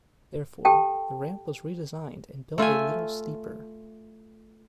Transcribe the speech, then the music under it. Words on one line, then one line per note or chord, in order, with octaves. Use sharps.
Therefore, the ramp was redesigned and built a little steeper.
G4 A4 G5 A5
A3 F4 E5 G#5